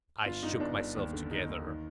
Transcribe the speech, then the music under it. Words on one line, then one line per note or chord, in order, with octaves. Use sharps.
I shook myself together.
G1 F4
G1 D#4
G1 D4
G1
D#2
D3
D3 D#4
D#2
D#3